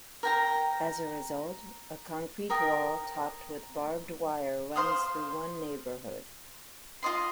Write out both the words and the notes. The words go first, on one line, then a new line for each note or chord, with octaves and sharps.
As a result, a concrete wall topped with barbed wire runs through one neighbourhood.
A#4 G5 A#5
A#4 G5 D#6
C5 F5 C6 D#6
F4 D#5 C6